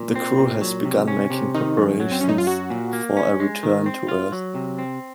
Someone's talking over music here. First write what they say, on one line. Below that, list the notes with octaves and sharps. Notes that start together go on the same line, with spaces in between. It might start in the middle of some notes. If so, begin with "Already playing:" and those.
The crew has begun making preparations for a return to Earth.
Already playing: A#2
C4
A#2
F#3
C3
C#4
C3
D#3 D#4
F#2
F#3
C4
F#2 C#4
D#4
F4
F#3 F#4
A#2
A#3
C#4
G#3
D#3
C4
F4
F#3
C3
C4